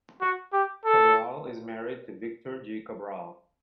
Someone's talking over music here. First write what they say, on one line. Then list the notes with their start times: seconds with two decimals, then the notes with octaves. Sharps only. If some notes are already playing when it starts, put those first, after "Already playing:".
Cabral is married to Victor G. Cabral.
0.21 F#4
0.53 G4
0.85 A4